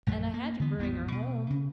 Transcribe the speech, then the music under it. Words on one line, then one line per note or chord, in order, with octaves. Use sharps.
And I had to bring her home.
A#1 F#2 A3
A#3
D3 E3 B3
G#1 E2 A2 B3
B2
C#3